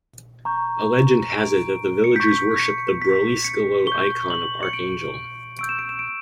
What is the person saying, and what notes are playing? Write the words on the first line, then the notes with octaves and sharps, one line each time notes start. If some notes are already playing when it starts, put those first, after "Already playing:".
A legend has it that the villagers worshiped the Broliskalo Icon of Archangel.
A#5 C#6 G6
D7
C#7
C#6 G6 B6
C#7
B6
C#7
C#6 G6 G7
F#7
C#7
D7
C#6 E6 G6 D7
E7
D7
E7
D7